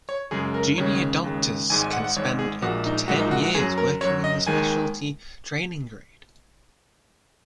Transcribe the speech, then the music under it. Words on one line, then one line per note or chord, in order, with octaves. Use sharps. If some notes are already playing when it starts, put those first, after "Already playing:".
Junior doctors can spend up to ten years working in the speciality training grade.
C#5
F#2 C#3 G#3 G#4
A#4
D#2 C#3 G#3 C#5
D#2 C#3 G#3
G#1 G#2 G#3 G#5
G#5
F#5
F#5
G#1 G#2 G#3 C#5
G#4
A#1 A#2 G#3 F#4
D#4
A#1 A#2 G#3 F#4
D#4
F#4
F#4
F#2 F#3 G#4
A#4
F#2 F#3 C#5
D#5
D#2 D#3 G#3 G#5